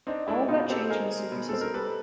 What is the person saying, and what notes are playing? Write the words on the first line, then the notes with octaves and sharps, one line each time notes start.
All of that changed in his senior season.
C4 D4 D#4
G#3 D4 E4
B2 D#4 F4
C4 G4 A4
D#4 G#4 A#4
G#3
B2
C4 A4
A#4
G3 A4 B4